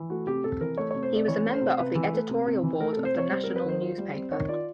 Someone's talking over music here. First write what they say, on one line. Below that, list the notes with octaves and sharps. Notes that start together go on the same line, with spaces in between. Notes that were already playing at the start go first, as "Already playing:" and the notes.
He was a member of the editorial board of the "National" newspaper.
Already playing: E3
A3 F#4
C3 G4
C3 A4
E3 A#4
A3 C#5
C3 C#5
C5
C3 D5
E3 C#5
A3
C5
C3
C3 B4
E3
A3
C3
C3
E3
A3 A#4
C3 A4
C5
C3 C#5
G3 C5
C4 A#4
B4
D#3 C5
F4
G3
C4
D#3 C#5
F4 D5